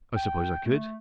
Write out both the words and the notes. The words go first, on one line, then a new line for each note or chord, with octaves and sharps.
"I suppose I could."
G5
A3